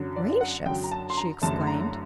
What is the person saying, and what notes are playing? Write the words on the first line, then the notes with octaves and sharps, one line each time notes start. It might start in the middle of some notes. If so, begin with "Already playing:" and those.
"Gracious!" she exclaimed.
Already playing: F#2 D3 F#3
D5
F#5
F#2 D3 F#3 G5
A#5
A5
C6
A#5
F#1 F#2 D3 A3 A5
A#5